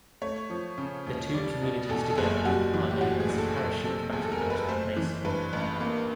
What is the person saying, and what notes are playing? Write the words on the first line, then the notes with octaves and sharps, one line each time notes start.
The two communities together are known as "Parachute-Battlement Mesa".
A3 C#5
F3
C#3
D#2
G3 D5
B2
E2 A4
A4
F#1 G#4
G3 F#4
E3
G4
A2 F#4
G#4
A#1
A4
F#1 A4
C3 A4
E2 G#4
A4
A#4
F#1
B4
A3 C5
E3
G2 B4
A1
A#3